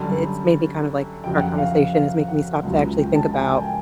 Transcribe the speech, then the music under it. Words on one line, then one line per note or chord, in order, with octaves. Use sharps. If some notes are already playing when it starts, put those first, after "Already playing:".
it's made me kind of, like our conversation is making me stop to actually think about
Already playing: F#2 D3 G3 A5
F2 C#3 F#3 G5
F#5
F5
F5
F#5
C#2 C#3 F#3
G5
A5
G#5
G5
G#5